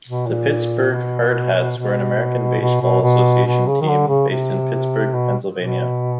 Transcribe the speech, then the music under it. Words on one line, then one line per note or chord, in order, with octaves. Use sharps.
The Pittsburgh Hardhats were an American Basketball Association team based in Pittsburgh, Pennsylvania.
B2
A#2
B2
B2
B2
B2
B2
B2
C#3
D#3
D3
C#3
C3
B2
B2